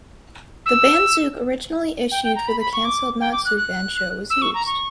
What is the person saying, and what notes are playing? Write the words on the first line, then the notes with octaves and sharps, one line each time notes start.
The banzuke originally issued for the cancelled Natsu basho was used.
E6
G5
G5
A#5
B5
B5
C#6
D6
G5
D6
F#6
F#6
E6
C#6
A#5
C#6